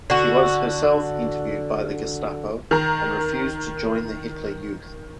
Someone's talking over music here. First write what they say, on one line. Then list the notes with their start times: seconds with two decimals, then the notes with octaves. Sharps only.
She was herself interviewed by the Gestapo and refused to join the Hitler Youth.
0.10 D3 F#4
2.71 D#3 A#5